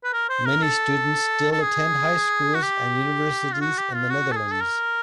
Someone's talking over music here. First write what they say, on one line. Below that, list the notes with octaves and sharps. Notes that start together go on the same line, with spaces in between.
Many students still attend high schools and universities in the Netherlands.
B4
A#4
C5
A#4
A4
A4
G#4
F#4
G4
F4
F#4
G4
F4
F#4
A4
G#4
A4
A#4